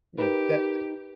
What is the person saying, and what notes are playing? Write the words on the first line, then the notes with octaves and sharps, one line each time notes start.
Yep, that
D#4 G4 A#4 B4